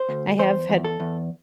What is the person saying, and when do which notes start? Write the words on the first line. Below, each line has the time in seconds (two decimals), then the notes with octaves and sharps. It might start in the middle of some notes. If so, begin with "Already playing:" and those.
I have had
Already playing: C5
0.09 D2
0.39 E2 C5
0.69 E2
0.84 A4
1.00 E2